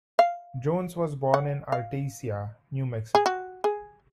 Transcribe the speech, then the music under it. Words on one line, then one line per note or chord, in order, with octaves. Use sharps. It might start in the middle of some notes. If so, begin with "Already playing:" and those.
Jones was born in Artesia, New Mexico.
F5
F#5
F5
G#4
F#4
G#4